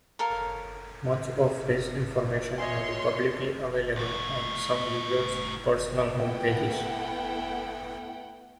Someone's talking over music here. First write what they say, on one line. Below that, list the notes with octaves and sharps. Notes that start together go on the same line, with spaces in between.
Much of this information may be publicly available on some users' personal home pages.
A4 A#4 C#5 F5
C#5 D#5 E5 G#5 C6
C2 A2
A3 B3 E4 F#5 G5